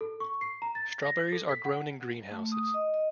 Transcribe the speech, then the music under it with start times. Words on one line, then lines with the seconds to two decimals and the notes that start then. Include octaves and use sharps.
Strawberries are grown in greenhouses.
0.01 A4
0.20 C#6
0.41 C7
0.62 A#5
0.75 A6
1.03 A#6
1.32 A4
1.49 B6
1.65 F#5
2.31 A3
2.52 D#6
2.74 D#5
2.94 D#5